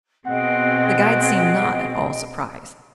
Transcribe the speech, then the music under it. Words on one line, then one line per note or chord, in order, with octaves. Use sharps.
The guide seemed not at all surprised.
B2 C4 G#4 D#5 F#5 G5